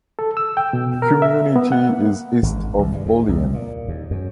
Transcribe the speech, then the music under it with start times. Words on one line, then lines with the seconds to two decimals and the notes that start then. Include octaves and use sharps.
The community is east of Olean.
0.19 A4
0.37 E6
0.57 G5
0.73 B2
1.02 A#4
1.22 E5
1.56 B3
1.72 F#5
1.89 A#3
2.42 G#1
2.79 C2
2.92 G2
3.06 D#2
3.29 C2
3.54 A#2
3.88 D#2
4.11 F#2